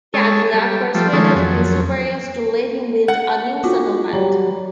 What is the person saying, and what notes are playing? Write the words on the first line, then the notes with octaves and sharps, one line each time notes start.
Cadillac persuaded his superiors to let him build a new settlement.
G#3 A4 C#5
G3
F3 G3 A3
D#3 F3 G#3 A3 C#4
F2 F#3
F#5
B3 F4 F#4
F#3 G3 A#5